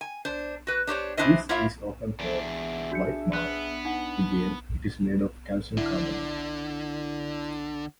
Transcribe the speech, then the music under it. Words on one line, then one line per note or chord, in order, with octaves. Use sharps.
This is often called "white marl"; again, it is made of calcium carbonate.
G#5
D4 C5
F#4 B4
D4 G4 C5 C#5
E3 A3 D4 E4 C5 D#5
A#3 E4 F4 C#5 E5 F5
E2 D4 G#4 E5
D4 F#4 G6 C#7
B3 B4 F#6
D#4 F#5
D3 E4